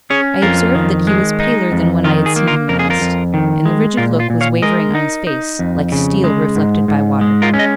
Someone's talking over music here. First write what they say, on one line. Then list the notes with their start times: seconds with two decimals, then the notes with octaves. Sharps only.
I observed that he was paler than when I had seen him last, and the rigid look was wavering on his face, like steel reflected by water.
0.10 C#4 G#4 C#5
0.42 F2 F4 A#4
0.75 D#3
1.07 G#3
1.40 D#4
1.72 F2
2.04 D#3 F4
2.26 G#4
2.36 A#3
2.47 F4 A#4
2.69 F2 A#4
2.79 G#4
2.90 F4 A#4
3.01 F2
3.34 D#3
3.65 G#3
3.97 A#2 F4 A#4
4.20 F4
4.30 A#2
4.41 C#5 F5
4.62 G#3 A#4 D#5
4.95 D#4
5.27 D#4
5.59 F2
5.92 C#3
6.24 G#3
6.56 G#2
6.88 G#2
7.21 G#3
7.42 F4 A#4
7.54 C#4
7.59 D#5